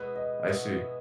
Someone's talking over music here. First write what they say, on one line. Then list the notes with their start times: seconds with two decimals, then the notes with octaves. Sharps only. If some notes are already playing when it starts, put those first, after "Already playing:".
I see.
Already playing: B2 G#3 B3 E4 G#4 B4
0.15 D#5
0.47 B2 G#3 B3 E4 G#4 E5